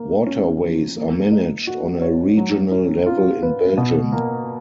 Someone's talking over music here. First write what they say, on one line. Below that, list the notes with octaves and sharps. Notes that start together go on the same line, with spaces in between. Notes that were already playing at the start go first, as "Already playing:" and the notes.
Waterways are managed on a regional level in Belgium.
Already playing: A#3
C#4
F3
A#3
D#4
F#4
C#5
F#3
C#4
F4
B4
B2
A#3